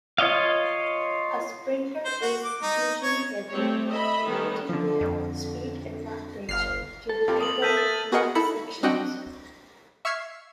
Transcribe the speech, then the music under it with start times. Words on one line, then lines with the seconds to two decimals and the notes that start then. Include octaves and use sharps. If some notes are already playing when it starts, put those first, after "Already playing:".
A sprinter is usually heavier, limiting their speed advantage to relatively flat sections.
0.18 F4 C#5 D#5 F5
2.05 C5
2.22 F#4
2.44 D6
2.62 D#4
3.03 C#5
3.50 A3 C4 G4 C#5
3.89 D#5 E5 B5
4.27 D#3 G3 A3 B3 C#4 D#4
4.69 D3 F3
5.01 F2
6.49 G1 F5 F6 C7
7.09 A4
7.28 F2 F4 G4
7.40 D#6 F#7
7.62 A#4 E5 A5 G6 D#7 F#7
7.77 A6
8.12 B3 F#4 G#4 A#4 D#5 F#5
8.35 D#4 E4 A4 B5 C#7
8.83 C4 D4 F#4 D#5 F#5 G5
10.05 E5 C#6 E6 F6 G#6 C7